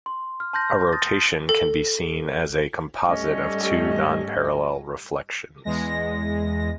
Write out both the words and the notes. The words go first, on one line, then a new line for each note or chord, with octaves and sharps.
A rotation can be seen as a composite of two non-parallel reflections.
C6
F6
A5 C6 G6 A#6
D#6 A6 A#6
A4
G#2 G3 A3 C#4 D#5
E2 G#3 A#6